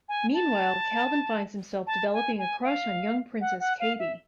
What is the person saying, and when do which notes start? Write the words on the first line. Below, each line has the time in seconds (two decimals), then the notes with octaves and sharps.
Meanwhile, Calvin finds himself developing a crush on young Princess Katey.
0.09 G#5
0.34 A5
1.87 A5
2.14 G#5
2.39 G#5
2.64 F5
3.41 F#5
3.60 F#5
3.80 F5
3.99 E5